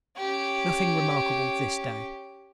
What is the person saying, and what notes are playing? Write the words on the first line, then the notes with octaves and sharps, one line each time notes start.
Nothing remarkable this day.
C#4 G4